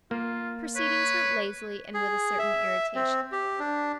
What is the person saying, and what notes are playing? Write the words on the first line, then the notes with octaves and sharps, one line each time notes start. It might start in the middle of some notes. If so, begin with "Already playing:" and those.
The proceedings went lazily and with a certain irritation.
A#3 F4
B4 C#5
G#4
E5
C4
G4
D4